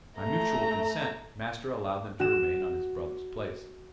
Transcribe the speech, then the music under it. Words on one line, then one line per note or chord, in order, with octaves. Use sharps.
By mutual consent master allowed them to remain on his brother's place.
A3 A#5
F#4 E7